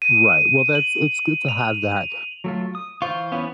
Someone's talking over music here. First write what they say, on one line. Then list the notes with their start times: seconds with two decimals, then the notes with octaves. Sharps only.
Right, well, that's it's good to have that
0.02 D#7
0.75 F#7
1.48 F7
2.44 F#3 A3 F4
2.75 D#6
3.02 E3 F4 C5 C#6
3.32 B3 C#4